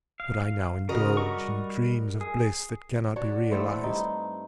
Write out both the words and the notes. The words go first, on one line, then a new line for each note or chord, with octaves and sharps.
But I now indulge in dreams of bliss that cannot be realized.
F5
C#3 F#4 A#4 D#5
G3 C#6
G#4
D4 F#4 C#5
E3 A3 C4
G2 D#4